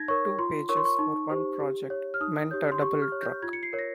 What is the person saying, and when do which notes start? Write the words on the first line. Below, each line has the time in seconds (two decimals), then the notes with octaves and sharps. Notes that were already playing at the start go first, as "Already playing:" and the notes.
Two pages for one project meant a double truck.
Already playing: D#4 G#6 A#6
0.08 A#4 C#5 C#6
0.39 F4 C6
0.69 A#4 C#5 C#6
0.77 C6
0.85 C#6
0.99 D#4
1.30 G4 C5
1.60 G4
1.90 C#5
2.14 F6
2.21 D#4 D#6
2.51 G4 C#5 G6
2.72 C6
2.82 G4 C#6
3.02 F6
3.12 C#5
3.22 G6
3.42 F4 G#6
3.53 C#7
3.63 C7
3.73 A#4 C#5
3.79 A#6